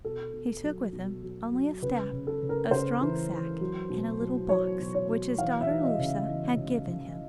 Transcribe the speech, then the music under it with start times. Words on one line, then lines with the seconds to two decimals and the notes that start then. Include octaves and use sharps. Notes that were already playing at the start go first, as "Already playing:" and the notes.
He took with him only a staff, a strong sack, and a little box which his daughter Lucia had given him.
0.05 B2 A4
0.33 B2
0.63 F#3
0.93 B2
1.23 F#3
1.52 F#3
1.82 C#3 B4
2.13 C#3
2.27 A4
2.42 C#3
2.49 A#4
2.71 C#3 C5
3.01 E3
3.31 E3
3.61 F#3
3.90 B2
4.21 F#3
4.49 F#3 C#5
4.79 B2
4.95 C#5
5.09 B2
5.38 E3 F5
5.61 E5
5.68 E3
5.84 D#5
5.98 C#3
6.06 E5
6.28 E3
6.57 C#3
6.88 C#3